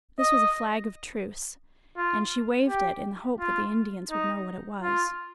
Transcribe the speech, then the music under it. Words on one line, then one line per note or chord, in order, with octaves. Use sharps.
This was a flag of truce, and she waved it, in the hope that the Indians would know what it was.
D#5
F4
G4
F4
D#4
F4